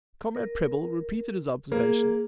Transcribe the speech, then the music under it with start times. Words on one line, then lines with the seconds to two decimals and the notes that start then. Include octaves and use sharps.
Comrade Prebble repeated his observation.
0.35 A#4
1.72 A#3 G#4